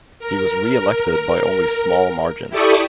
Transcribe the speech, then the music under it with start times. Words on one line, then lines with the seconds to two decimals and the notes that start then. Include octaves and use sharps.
He was re-elected by only small margins.
0.19 A#4
2.50 E4 G4 A4 D5 C#6 D#6